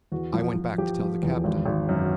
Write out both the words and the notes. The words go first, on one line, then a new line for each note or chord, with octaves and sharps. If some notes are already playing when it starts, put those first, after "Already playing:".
I went back to tell the captain.
E2 F#4
F3
F3
F3 G4
F3
E2
G#1
G#1
F#2